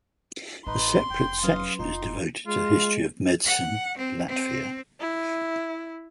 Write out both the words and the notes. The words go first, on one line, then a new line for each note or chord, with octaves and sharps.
A separate section is devoted to the history of medicine Latvia.
A1 D#4 B4 C6
F1 G5
F#3 C#4 B4 F5 D#6
F1 D#4 F4 C6
G#3 F4
F#5
C4
C4
E4